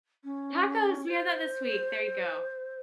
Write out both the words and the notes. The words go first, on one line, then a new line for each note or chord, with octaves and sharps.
Tacos, we had that this week, there you go.
C#4
C5